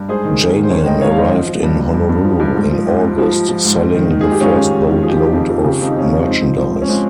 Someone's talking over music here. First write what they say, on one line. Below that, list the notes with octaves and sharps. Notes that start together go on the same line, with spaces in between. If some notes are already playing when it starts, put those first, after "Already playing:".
Janion arrived in Honolulu in August, selling the first boat-load of merchandise.
Already playing: G2
G#2 G#4 C5
D#3
D#3
D#3
C5
D#3 A#4 C#5
G#2 D#5 G5
G#2 C#5 F5
F5
D#3 C5 D#5
F3
F3
G2
G2
G2
G2
F3
G2
G#2
F3
G#2
G#2
F3
F3
F3
G#2
G#2
D#3
D#3
G#2 G#4
G4
G#2 C#4 F4
D#3
G#2
D#3
F3 G#4
G4
F3 F4
D#4 G4
F2
F2
C#3 G4
F2 F4
D#4
F2 C#4 F4
F3
G#2 C4 D#4
F3
F3
G#2
C#4
F3 G#3 C4